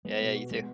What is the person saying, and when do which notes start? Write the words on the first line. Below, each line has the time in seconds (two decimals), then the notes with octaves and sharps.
Yeah, yeah, you too.
0.05 G#3 B3
0.21 B2
0.36 F#4
0.51 G#3 B3